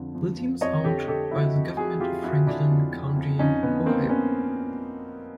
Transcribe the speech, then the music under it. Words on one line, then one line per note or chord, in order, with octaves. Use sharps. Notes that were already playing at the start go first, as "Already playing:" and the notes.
The team is owned by the government of Franklin County, Ohio.
Already playing: F2 D3
F2
F2
F2 C#5 D#5
D3 G4 A4
D3 G4 A4
F2 E4 F#4
F2
F2 F#4 G#4
F2 F4 G4
F2 E4 F#4
D3 D4 E4
F2
F2
F2
F2 C#4 D#4
D3 B3
F2 A#3 C4
B3 C#4